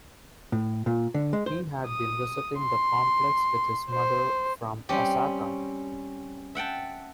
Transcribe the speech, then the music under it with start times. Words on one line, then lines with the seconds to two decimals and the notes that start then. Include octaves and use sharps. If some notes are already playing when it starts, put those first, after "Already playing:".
He had been visiting the complex with his mother from Osaka.
0.52 A2
0.86 A#2
1.14 D3
1.33 G#3
1.46 C5
1.88 D#6
2.59 C6
3.90 C5
4.89 G3 C4 C#4 G4
6.55 E5 F#5 G5 A5